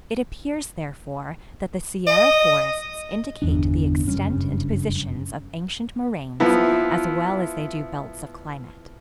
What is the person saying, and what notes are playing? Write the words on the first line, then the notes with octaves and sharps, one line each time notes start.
It appears, therefore, that the Sierra forests indicate the extent and positions of ancient moraines as well as they do belts of climate.
D#5
G1 E2 D4
F#1 G2 C#4
F3 B3 E4